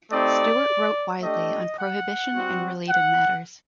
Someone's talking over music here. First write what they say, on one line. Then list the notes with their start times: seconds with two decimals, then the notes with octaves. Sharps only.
Stewart wrote widely on prohibition and related matters.
0.11 A3 C4 D#4 G4 D5
1.23 A3 D4 G4 D#5
1.78 F#5
2.35 G3 C4 F#4
2.89 F#5